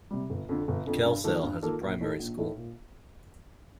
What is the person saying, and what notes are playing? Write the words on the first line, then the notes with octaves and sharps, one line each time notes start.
Kelsale has a Primary School.
C3 G3
G1
F2 D3
G1
F2 D3
G2
D#3 A#3 F4 A4
G2
D#3 A#3 F4 A4
A#1
A2 A3 D#4 A4
A#1
A2 A3 D#4 A4
A#2